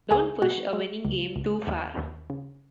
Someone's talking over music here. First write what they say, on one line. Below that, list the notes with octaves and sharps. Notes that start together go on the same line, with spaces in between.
Don't push a winning game too far.
C#2 G#4 G#5
B2 F#4 F#5
G#3
C#2
C#2
D#2
D#2
C#3